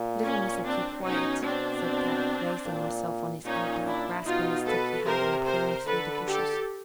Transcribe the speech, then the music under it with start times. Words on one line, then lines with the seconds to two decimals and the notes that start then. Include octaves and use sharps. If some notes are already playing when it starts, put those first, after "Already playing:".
"Little Missa keep quiet," said Kadok, raising himself on his elbow, grasping a stick he had and peering through the bushes.
Already playing: A#2
0.24 C#4
0.65 C4 D4
1.05 B2 C#4 D#4
1.45 C4 D4
2.66 A#2
3.45 A#2 C#4 D#4
3.86 D4 E4
4.25 B2 D#4 F4
4.66 A4 B4
5.06 C3 A#4 C5
5.46 A#4 C5
5.86 D3 A4 B4
6.27 G4 A4